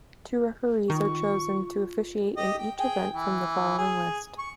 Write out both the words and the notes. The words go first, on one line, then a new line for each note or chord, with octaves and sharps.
Two referees are chosen to officiate in each event, from the following list.
D#3 F4 C#6
G4 D#5
G5
G#4 G5
E3
G#4
C#6